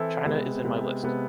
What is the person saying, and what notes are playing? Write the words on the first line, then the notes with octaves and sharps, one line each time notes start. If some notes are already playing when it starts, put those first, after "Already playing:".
China is in my list.
Already playing: E3 C4 E4 A4
C3 G#3 B3
C3 G#3 B3
C3 G#3 B3